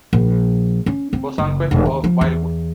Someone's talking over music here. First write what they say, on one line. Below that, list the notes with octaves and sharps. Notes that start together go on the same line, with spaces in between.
Bosanquet of Wildwood.
A#1
C#4
C4
F#1
E1
D#2
F3
E2